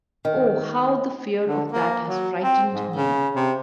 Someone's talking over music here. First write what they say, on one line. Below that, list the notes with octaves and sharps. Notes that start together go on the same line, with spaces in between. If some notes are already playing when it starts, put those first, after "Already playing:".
Oh, how the fear of that has frightened me!
D#3
D3
A#3
F#3
C4
G#2
C#3
C3